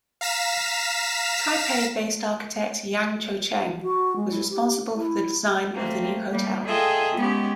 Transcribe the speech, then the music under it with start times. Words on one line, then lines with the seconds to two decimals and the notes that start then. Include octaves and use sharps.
Taipei-based architect Yang Cho-Cheng was responsible for the design of the new hotel.
0.21 F5 A#5 B6 E7
3.82 F#4
4.16 G#3
4.31 E4
4.50 G4
4.95 E4
5.74 A3 A#3 C4
6.28 G3 A#3
6.64 F4 G#4 A4 D#5 E5 G5
7.15 G#3 B3 C#4 G4